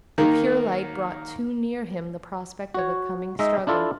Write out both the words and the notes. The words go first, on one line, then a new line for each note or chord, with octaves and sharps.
Their pure light brought too near him the prospect of a coming struggle.
D#3 A#3
F#4 C#5
G#3 D#4 D#5 E5
D4 E4 F4 A4